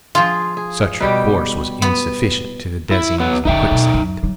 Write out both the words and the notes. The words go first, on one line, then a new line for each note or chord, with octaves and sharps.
Such recourse was insufficient to the denizens of Quicksand.
F3 F4 G#4
G#4
B2 G3 G4
B3
E4
F#3 B3
F1 D3 D#4 E5 G5
B2
F#2
F#3 G3